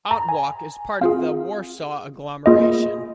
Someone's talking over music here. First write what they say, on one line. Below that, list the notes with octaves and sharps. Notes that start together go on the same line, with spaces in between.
Otwock is a part of the Warsaw Agglomeration.
A#5
G#5
C4 F4 G#4 F5
A#3 F4 G#4 D#5